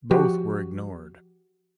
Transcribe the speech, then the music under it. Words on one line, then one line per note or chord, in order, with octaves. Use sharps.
Both were ignored.
F3 F#4 G4